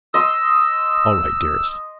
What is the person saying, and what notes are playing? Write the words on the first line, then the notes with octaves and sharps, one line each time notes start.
All right, dearest.
D#5 C6 E6